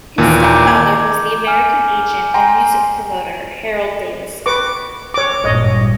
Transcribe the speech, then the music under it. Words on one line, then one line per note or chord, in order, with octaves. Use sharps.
His stepfather was the American agent and music promoter Harold Davison.
D#2 A#2 E3
A#5 D6 G6
G#6
G#5 F6
G5 G#5 A#5 C6
B4 C#6 D6
C#5 D6
G#1 G2 A#2 C#5 D#5